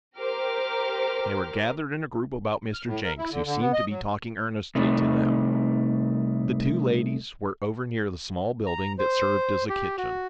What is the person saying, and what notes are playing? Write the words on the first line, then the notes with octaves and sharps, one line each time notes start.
They were gathered in a group about Mr. Jenks, who seemed to be talking earnestly to them. The two ladies were over near the small building that served as a kitchen.
G4 A#4 C5 A#5 D6 F6
F6
A2
A#4
E4
D3
D3
B3
D#5
F#3
C2 C3 A3 D#4
A#5
C5
G4
F#4